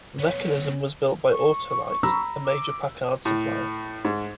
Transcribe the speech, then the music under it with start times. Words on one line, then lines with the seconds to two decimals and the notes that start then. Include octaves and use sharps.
The mechanism was built by Auto-Lite, a major Packard supplier.
0.19 B3 C#4 C#5
1.32 C#6
2.03 A#5 B5 E6
2.45 D6
3.25 A2
4.05 G#2